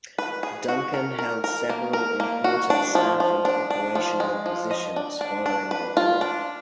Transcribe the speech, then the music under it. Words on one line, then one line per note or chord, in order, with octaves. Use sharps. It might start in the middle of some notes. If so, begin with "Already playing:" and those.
Duncan held several important staff and operational positions following the war.
B4
G#4
F#4
A#4
A#4
A#4
A#3
A#4
A#3
F#4
D4
F3
F3
D4
D4
F3
G#3
F3
D#5
D4
D4
D4
B4
F4
D4